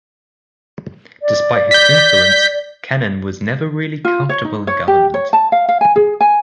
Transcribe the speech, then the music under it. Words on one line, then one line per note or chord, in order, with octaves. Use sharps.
Despite his influence, Kennan was never really comfortable in government.
D5
G6 B6
F4
C#5
D#4
C#5
G4
C#5
A5
F5
F5
G#5
G#4
G#5